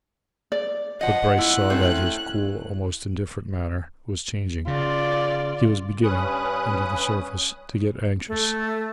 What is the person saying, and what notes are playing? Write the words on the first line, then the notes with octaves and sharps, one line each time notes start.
But Bryce saw that his cool, almost indifferent manner was changing--he was beginning, under the surface, to get anxious.
D5
F3 D#5 F#5
E4 F#6
A3 C4 C#4
C#3 F4 D5
G2 C#4 B4 D#6 F#6
A3